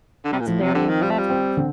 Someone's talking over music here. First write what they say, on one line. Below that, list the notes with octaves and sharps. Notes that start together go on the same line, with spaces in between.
That's very important.
D3
C3
A#2
A2 F3
C3
D3 C4
D#3
G3 F4
A3
G3
C4
D3